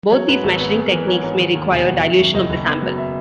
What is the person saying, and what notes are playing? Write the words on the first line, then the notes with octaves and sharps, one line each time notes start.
Both these measuring techniques may require dilution of the sample.
F#3 C#5
G#2 B4
G#1
B3
B3 G#4
A#4
E3
B4
G#2 C#5
G#2 C#5
D#3
D#2
E1 G#5
F#3 F#5
D#3 E5
F#2
F#1 D#5
F#1
B3
F#3
E5